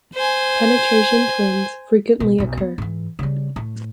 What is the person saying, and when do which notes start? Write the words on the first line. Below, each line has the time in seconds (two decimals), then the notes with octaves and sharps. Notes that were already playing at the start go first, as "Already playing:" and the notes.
Penetration twins frequently occur.
0.15 C5 G#5
2.20 B2
2.38 B1 F#2
2.57 B3
2.78 G#2 E3
3.19 C#3 G3
3.56 A2